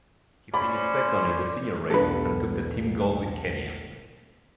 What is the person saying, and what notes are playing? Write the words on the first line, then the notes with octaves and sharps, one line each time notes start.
He finished second in the senior race and took the team gold with Kenya.
C#4 C5 D5 B5
E1 B1 D4 A4 B4